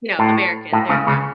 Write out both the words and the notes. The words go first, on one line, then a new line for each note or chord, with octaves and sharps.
you know, American. There you go.
A2
A2
C#2 C#3
C#2 C#3